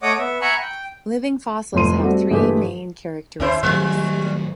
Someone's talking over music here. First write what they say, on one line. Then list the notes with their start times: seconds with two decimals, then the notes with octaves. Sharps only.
Living fossils have three main characteristics.
0.02 A3 C#5 D#5 F#5 D6 D#6
0.19 B3 E5
0.41 E5 F#5 G#5 A#5 B5 C#6
0.61 G5
1.74 F1 A2 F3 C6 D#7
2.00 G3 A3 C4 F#4
2.30 G1 E3 G#3 A3 G4 B4
3.40 D#2 C#4 E4 C5
3.63 A2 D#3 F#3 G3